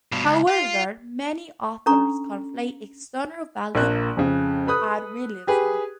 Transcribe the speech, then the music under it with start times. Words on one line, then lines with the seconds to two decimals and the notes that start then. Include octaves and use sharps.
However, many authors conflate external validity and realism.
0.12 G2 B2
0.24 C#2
0.48 F4
1.86 C#4 D4 A4 A#5 C#6
3.75 A#1 A#3 F#6
4.17 F2 C#3
4.67 A4 B4 B5 D#6 F#6
5.47 G4 G#4 B4